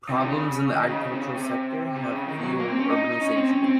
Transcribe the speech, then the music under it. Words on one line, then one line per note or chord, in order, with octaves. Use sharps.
Problems in the agricultural sector have fueled urbanization.
C3
D#3
C#3
D#3
C#3
C#3
C3
C#3
C3
C3
C#3
D#3
G#3
F#3
A#3
C4
C#4
D#4
C#4
C4
C#4
C4